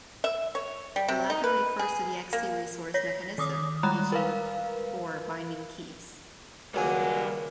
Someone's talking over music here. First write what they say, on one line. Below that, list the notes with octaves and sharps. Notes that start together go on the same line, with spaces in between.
The latter refers to the Xt resource mechanism, e.g., for binding keys.
E5
C#5
G3
C3
D#4
B4
G#4
A#3
C#5 A#6 B6
D#3 D6 D#6
G3 G#3 A#5 B5 F#6
A#4 B4 F5
C#2 D#3 F#3 G3 A#3 G#5